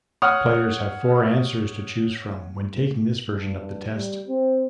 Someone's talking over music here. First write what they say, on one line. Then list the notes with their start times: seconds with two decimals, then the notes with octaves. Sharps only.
Players have four answers to choose from when taking this version of the test.
0.22 C#5 F#5 C#6 D#6 F6
3.31 G2
3.94 G3
4.28 C4